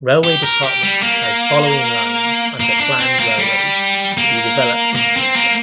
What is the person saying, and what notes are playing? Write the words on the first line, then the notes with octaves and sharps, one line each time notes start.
Railway Department has following lines under planned railways to be develop in future.
G4
A#4
G4
G3
A#3
A#3
D4
C4
A#3
G3
A#3
A#3
C4
A#3